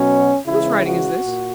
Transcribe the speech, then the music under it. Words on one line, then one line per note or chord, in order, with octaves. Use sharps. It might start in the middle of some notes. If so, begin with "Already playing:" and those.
'Whose writing is this?'
Already playing: B2 F#3 C#4
C#3 E3 G#3 E4
F#4
A#2